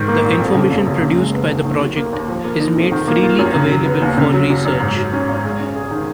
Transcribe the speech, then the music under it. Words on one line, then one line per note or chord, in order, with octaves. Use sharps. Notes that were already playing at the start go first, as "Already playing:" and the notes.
The information produced by the project is made freely available for research.
Already playing: G#2 D#3
A#3
A#1
F2
C#3
F#1
F#1
C#3
G#3
B3
D#2
D#3
F#3
A#3
D#2
F3
A#3
D#4
F2
D#3
A#3
F4
F#2
C#3
F#3
B3
D#2
C#3
F#3
F#2
F#2
G#2
F#3
C#4
G#1
G#3
C#4
G#4
D#3